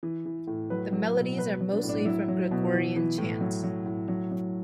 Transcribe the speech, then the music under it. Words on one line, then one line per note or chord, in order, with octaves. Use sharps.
The melodies are mostly from Gregorian chant.
E3
E3
A2
F#3 B4
F#3
B2
F#3 B4
F#3
D4
A2
D4
F#3 E4
F#3
B2
E3
E3
A2
F#3
F#3
A2
F#3
F#3